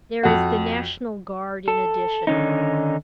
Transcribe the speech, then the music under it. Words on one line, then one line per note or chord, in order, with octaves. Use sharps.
There is the National Guard in addition.
F2 F#4
A4
D3 D#3 C#4 D#4